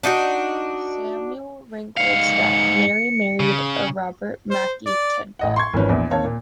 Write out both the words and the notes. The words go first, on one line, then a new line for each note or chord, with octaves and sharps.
After Samuel Ringold's death Marie married a Robert Mackey Tidball.
D4 D#4 F4 F#4
G#2 F5 C#7
C#3
C5
D5
A1 D#5 F#5
C6 C#6 G#6
G#1 E3 F3 C#4 B4
A#1 E2
D#2 C4 C#5 F5 A5
A#2